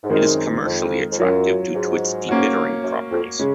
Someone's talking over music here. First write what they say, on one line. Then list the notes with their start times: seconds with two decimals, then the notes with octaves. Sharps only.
It is commercially attractive due to its debittering properties.
0.04 G#2
0.09 F#2 D#3 G#3 C4 D#4 A#4
0.65 F2
1.11 F2
1.19 F#2 F#3 C#4 F4
1.75 G#2
2.29 A#3 C#4 F#4
2.84 F#2
3.11 F2
3.39 C#3 G#3 C#4